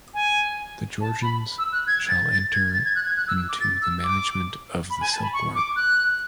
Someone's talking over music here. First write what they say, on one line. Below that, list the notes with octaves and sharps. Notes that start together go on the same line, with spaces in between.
The Georgians shall enter into the management of the silkworm.
G#5
A5
B5
E6
F#6
G#6
A6
A6
G#6
A6
G#6
F#6
G#6
F#6
E6
D6
A6
E6
D6
B5
G#5
A5
B5
C#6
D6
F#6